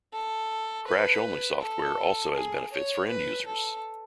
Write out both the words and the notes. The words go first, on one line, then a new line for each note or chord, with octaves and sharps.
Crash-only software also has benefits for end-users.
A4
B4
A4
G#4
C#5
B4
A4